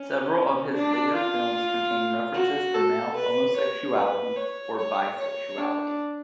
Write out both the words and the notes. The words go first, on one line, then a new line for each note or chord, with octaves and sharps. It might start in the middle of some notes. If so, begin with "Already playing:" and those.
Several of his later films contain references to male homosexuality or bisexuality.
Already playing: C#4
D4
F4
F#4
A4
B4
C#5
B4
C#5
C#5
C#5
D4